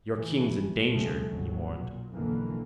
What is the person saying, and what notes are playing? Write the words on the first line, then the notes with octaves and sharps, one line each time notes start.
"Your king's in danger," he warned.
A2 E3
G1
B1 C#3 F3 G3 A3
G#1 D#2 F#3
B1 A#2
B1 F2 D3 E3 A#3